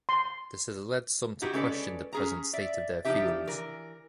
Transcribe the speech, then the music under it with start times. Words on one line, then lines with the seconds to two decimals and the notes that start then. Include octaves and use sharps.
This has led some to question the present state of their fields.
0.09 C6
1.42 D#4 E4 F#4 G4
1.53 G#3 C#4 A4 B4 D5
2.13 C#4 G#4 A#5
2.53 D5 E5
3.05 F3 C4 D4 D#4 G4 E5
3.47 E3 A#4